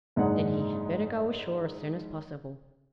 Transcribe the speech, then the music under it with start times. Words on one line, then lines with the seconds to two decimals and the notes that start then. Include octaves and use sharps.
Then he had better go ashore as soon as possible.
0.16 F#1 G#2 D4 D#4 G#4 F#5